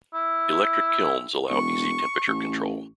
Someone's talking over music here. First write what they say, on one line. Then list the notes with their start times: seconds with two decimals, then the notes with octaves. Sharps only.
Electric kilns allow easy temperature control.
0.14 E4
1.50 E1 C#6
2.27 A1